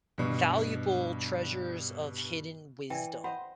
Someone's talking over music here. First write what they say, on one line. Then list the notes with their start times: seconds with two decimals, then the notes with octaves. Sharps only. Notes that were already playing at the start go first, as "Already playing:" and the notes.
valuable treasures of hidden wisdom.
0.18 G2 B2
2.90 E3 D5 E5 G5
3.24 C5 D#5 F#5 B5 C6